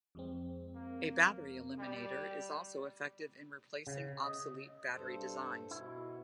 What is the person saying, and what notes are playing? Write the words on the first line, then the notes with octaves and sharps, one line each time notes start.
A battery eliminator is also effective in replacing obsolete battery designs.
F2 G#3 C4
A#3
G3
C#3
D#5
G2 A4 C5
B2 E4